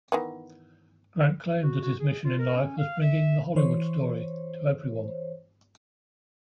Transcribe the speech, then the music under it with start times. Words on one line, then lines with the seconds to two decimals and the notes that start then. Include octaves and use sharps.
Grant claimed that his mission in life was bringing the Hollywood story to everyone.
0.12 D#3 E3 B3
1.63 F#4
1.83 F#4
1.99 G#4
2.25 F4
2.39 A#4
2.55 C#4
2.78 F5
3.00 E5
3.55 E3 C5 C#5